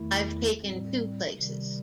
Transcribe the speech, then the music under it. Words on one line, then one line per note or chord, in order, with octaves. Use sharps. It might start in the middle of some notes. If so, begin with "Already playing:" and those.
I’ve taken two places.
Already playing: E2 D#3 A3 E4
A2 G3 C4
C3 D#3 G3